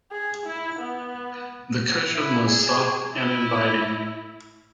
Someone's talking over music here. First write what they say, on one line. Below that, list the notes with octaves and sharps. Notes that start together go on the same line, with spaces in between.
The cushion was soft and inviting.
G#4
E4
B3
E4
G#4
E4